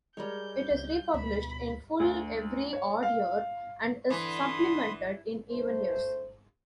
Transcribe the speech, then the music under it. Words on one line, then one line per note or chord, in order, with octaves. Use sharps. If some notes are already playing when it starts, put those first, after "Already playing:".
It is republished in full every odd year, and is supplemented in even years.
G3 G#3 A#4 C#5 G6
C#2
D2 B2 E5 B5
D2
C#5
F5
D3 E3 B5 C6 D#6
D2 A3 C5